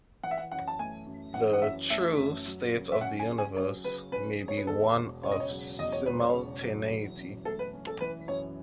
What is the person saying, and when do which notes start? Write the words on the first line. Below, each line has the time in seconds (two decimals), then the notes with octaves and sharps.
The 'true' state of the universe may be one of simultaneity.
0.23 E3 F#5
0.31 E5
0.37 F#5
0.51 F#2 F#5
0.68 A5
0.79 A3 G#5
1.07 F#2
1.34 E3 F#5
1.53 F#5
1.62 F#2 E5
1.90 A3 E5
2.18 F#2
2.46 F#3
2.73 C#3
2.92 E5
3.01 C#4 F#5
3.20 G#5
3.29 G#4
3.38 G#5
3.57 F#3 C#5
3.84 C#3 B4
4.12 C#4 B4
4.40 G#4
4.48 C#5
4.57 B4
4.67 E2 A4
4.95 E1
5.23 C#3 C#5
5.32 D#5
5.40 C#5
5.50 F#3
5.79 E2 D#5
5.92 C#5
6.06 E1 B4
6.20 C#5
6.34 C#3
6.62 F#3
6.90 E3
7.17 F#2
7.45 A3 A4
7.59 B4
7.73 C#4
7.87 A4
8.00 E3 B4
8.28 F#2 C#5